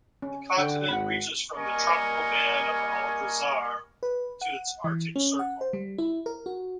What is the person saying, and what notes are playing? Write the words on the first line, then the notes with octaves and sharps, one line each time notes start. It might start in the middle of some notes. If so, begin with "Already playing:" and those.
The continent reaches from the tropical band of Aldrazar to its Arctic Circle.
C#4
D3 F#5 G5
G#1 F#5 B5
G3 A#3 A#4 D#5 G#5 C#6
B4
F#5
E3
C#4
F#5
C5
G3
E4
A#4
F#4